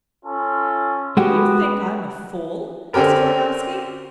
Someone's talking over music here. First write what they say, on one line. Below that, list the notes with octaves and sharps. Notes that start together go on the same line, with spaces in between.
"Do you think I am a fool?" asked Twardowski.
C#4 F4 A4
G#3 B3 F#4 G4 B4
D3 C4 C#4 G4 A#4